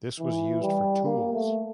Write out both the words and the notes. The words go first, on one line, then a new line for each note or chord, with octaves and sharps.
This was used for tools.
E3
G3
A#3
A3